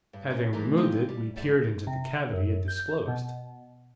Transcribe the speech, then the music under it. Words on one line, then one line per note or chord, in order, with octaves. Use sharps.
Having removed it, we peered into the cavity it disclosed.
G2
C#4 A#4
E3 G3 A3 A#4
G#3 C4 D#4 F4 G4 B4
G3
D2 G#2 D5 E5
C3
F#2
G6
B2